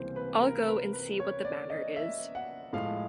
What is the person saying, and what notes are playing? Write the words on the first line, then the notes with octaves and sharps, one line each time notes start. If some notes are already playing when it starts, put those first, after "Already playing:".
I'll go and see what the matter is.
Already playing: C#2 C3 E3 G3 A#3 C5
B4
A#4
B4
B4
C#5
D5
D#5
E5
F#5
A2 F3 G#3 F5